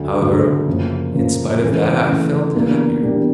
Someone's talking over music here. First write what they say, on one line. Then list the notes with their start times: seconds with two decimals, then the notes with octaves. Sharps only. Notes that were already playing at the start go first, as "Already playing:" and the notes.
However, in spite of that I felt happier.
Already playing: D2 D3 F#3
0.21 D2 D3 F#3
0.67 F#2 C#3 F3 A#3
1.13 F#2 C#3 F3 A#3
1.61 C#3 E3 A3 C#4
2.07 C#3 E3 A3 C#4
2.55 E2 B2 G3 A#3 D4
3.01 E2 B2 G3 A#3 D4